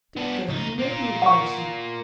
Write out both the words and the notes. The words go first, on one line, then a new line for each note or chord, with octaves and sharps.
'Dick doesn't remember you, Gracey.
B3 D4
C#2 D#4
A#3 F4
F#5 C#6